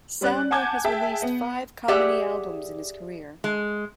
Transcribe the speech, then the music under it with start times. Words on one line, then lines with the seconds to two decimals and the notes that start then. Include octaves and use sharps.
Sandler has released five comedy albums in his career.
0.21 G3 C#4 D5 F#6
0.51 F#5 G#5 A5 D6 G6 G#6
0.84 G#4 E5 G5 A5
1.22 B3
1.88 G4 G#4 D5 E5 F#5
3.44 G#3